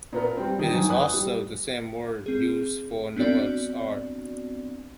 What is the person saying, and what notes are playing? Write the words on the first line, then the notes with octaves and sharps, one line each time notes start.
It is also the same word used for Noah's Ark.
A#2 B3 A#4
G3 C4
D#3
F#2 D#3 D#4 G#5
B4 D#6 F#6
G3
C4 G#4
B3 C4 D4 F#4 D5